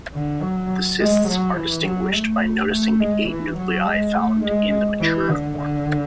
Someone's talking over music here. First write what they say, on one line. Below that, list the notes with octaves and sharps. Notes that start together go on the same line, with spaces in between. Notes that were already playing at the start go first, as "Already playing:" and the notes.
The cysts are distinguished by noticing the eight nuclei found in the mature form.
D3
F#3
G#3
F#3
E3
F#3
A3
A3
G#3
E3
F#3
G#3
A3
G#3
E3
D3
D3